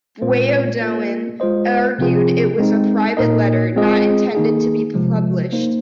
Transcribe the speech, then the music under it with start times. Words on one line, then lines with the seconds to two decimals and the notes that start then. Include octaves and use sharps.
Beaudoin argued it was a private letter, not intended to be published.
0.21 A#2 G#3 C4 F4 C5
0.80 A#3 F4 A#4
1.40 G#3 F4 C5 D#5
1.99 C3 F3 C4 F4 G#4
2.58 G#3 C4 D#4
3.17 A#2 A#3 D#4 A#4 D#5
3.76 G#3 C4 F4 G#4 D#5
4.35 D#3 A#3 D#4 G#4
4.94 C3 F3 G#3
5.52 A#3 D#4 C5